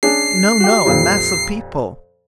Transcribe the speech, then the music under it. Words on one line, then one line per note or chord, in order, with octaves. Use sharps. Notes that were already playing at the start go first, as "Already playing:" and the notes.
"No, no; a mass of people."
C#4 D4 G#4 C7
F#4 G4
F2 A#2 G3